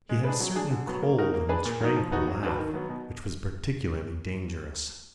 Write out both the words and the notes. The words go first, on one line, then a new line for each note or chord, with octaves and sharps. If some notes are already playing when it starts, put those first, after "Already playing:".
He had a certain cold and tranquil laugh, which was particularly dangerous.
G#3
D4 G#4 B4
F#3
D4 G#4
D3
F#3 B3
A#3
D#4 F#4 A#4
A#3
D4 G#4 B4
A#2
F#3 A#3 D#4
F3
B3 D#4 F#4
F#3
D4 F#4 B4
D#3
F#3 B3
B2